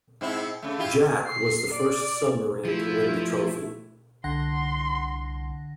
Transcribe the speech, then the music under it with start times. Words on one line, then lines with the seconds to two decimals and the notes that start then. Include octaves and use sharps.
"Jack" was the first submarine to win the trophy.
0.21 G#2 C4 E4
0.62 C#3 A3
0.79 E4 F4 G4
1.28 C7
1.73 D5
2.65 F3 A3 E4
4.24 C2 D3 F#5 C6 A#6